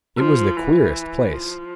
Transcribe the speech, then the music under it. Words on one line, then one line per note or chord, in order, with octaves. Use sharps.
It was the queerest place!
F3
E3
F3